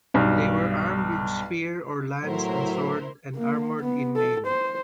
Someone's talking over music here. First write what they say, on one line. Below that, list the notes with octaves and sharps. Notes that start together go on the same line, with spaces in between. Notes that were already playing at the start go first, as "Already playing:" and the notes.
They were armed with spear or lance and sword and armored in mail.
B1 G2
A2 F#3 E4 A#4 C5
A#3
B3
A4
C5